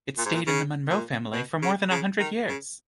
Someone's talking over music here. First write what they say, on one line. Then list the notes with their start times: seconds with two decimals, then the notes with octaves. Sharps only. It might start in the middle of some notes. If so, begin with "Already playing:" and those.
It stayed in the Monro family for more than a hundred years.
0.18 A#2
0.25 G#2
0.34 A#2
0.47 C#3
0.90 A#2
1.33 B2
1.62 C#3
1.91 C#3
2.20 D#3
2.48 C#3